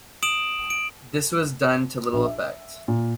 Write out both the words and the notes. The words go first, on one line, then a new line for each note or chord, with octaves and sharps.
This was done to little effect.
D#6 D7 E7 F#7
D7
A#1
E5
A#2